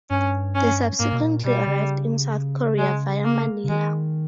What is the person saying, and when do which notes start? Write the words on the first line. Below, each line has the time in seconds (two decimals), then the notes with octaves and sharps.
They subsequently arrived in South Korea via Manila.
0.10 G2 C#4
0.55 C#4
0.99 G#2 A#3
1.12 B2
1.22 A#2
1.44 B2 G3
1.67 C#3
2.79 G#3
3.24 A#3
3.64 C#3
3.69 D#3 G#3